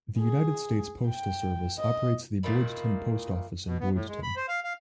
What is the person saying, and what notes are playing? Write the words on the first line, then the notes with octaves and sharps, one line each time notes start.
The United States Postal Service operates the Boydton Post Office in Boydton.
G#4
G5
D#5
A#2 D#3 A#3 E4
B2
B3
A2
G#3
B5
C5
F5
F5